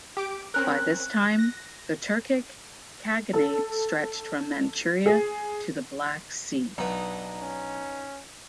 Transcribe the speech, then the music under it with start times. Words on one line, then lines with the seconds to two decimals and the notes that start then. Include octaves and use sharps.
By this time the Turkic Khaganate stretched from Manchuria to the Black Sea.
0.17 G4 D6 D7
0.54 C4 C#4 A#4 F#6
1.39 A#6
3.33 A4
5.06 G#4
6.78 B1 D4 D#4 B4 F#5
7.40 C#4